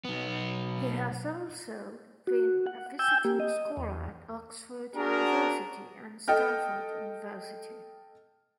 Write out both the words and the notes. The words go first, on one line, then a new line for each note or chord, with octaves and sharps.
He has also been a visiting scholar at Oxford University and Stanford University.
B1 B3
F#4
F#5
G5 G#5 E6 G6
A#3 G4
D#5
E2
D4 F#4 G#4 A#4
A4 D#5 G5 F6